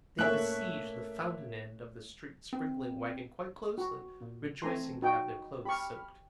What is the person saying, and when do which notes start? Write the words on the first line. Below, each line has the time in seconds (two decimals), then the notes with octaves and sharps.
They besiege the fountain-end of the street-sprinkling wagon quite closely, rejoicing to have their clothes soaked.
0.19 A3 A#3 C#5 E5 F#6
2.53 C4
3.78 F#4
4.21 A#2
4.62 E3 A3 C4 G#5 A#5 C6
5.02 D#4 F#4 G5
5.65 G4 B5 C#6 F6